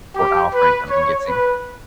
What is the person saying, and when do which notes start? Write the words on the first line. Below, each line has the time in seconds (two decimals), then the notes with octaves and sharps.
or our friend comes and gets him,
0.15 G4
0.53 B4
0.89 C#5
1.26 B4